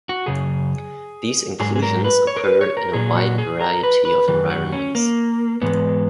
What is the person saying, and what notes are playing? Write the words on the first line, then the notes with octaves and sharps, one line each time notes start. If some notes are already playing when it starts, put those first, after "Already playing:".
These inclusions occur in a wide variety of environments.
F#4
F#2 C#3 G#4
G#2 F#3 G#4
G#4
A#4
B4
C#5
A#4
B4
C#5
A#4
A#2 F#3 G#4
F#4
G#4
A#4
B4
B4
F#2 D#3 B4
F#4
C#4
A#3
G#2 E3 G#3 B3